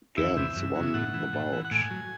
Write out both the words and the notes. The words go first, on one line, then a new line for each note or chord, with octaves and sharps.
Gans won the bout.
E2 E5
C3 E3
F#2
C#3 F#3
A2 F#5
E3
A2
E3
F#5
A2 G#5
F#3